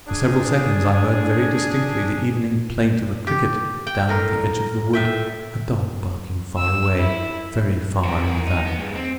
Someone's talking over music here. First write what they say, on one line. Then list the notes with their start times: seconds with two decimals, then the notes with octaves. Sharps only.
For several seconds I heard very distinctly the evening plaint of a cricket down at the edge of the wood, a dog barking far away, very far in the valley.
0.07 D4 G#4
3.27 G4
3.87 G5
4.09 A2 A#4
4.93 A2 E5 G5
6.57 E6
6.98 E4
8.05 C4 F#4
8.23 E4 A#4
8.47 D#4
8.66 B3
8.78 G2 G#3
8.95 C4